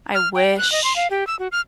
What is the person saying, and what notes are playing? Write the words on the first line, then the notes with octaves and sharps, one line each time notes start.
I wish
F6
G5
F#6
D#5
C6
F5
G4
E6
F#4
F6